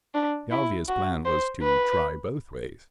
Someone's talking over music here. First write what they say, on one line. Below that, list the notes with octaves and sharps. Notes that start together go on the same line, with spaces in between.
The obvious plan was to try both ways.
D4
E4
F#4
C5
B4